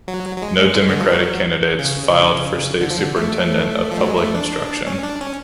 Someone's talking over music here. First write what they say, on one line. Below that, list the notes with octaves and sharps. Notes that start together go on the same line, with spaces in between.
No Democratic candidates filed for State Superintendent of Public Instruction.
F#3
F#3
G#3
D3
F3
F#3
C#3
D3
F3
D3
A3
F3
F#3
G#3
A3
D4
C#4
D4
C#4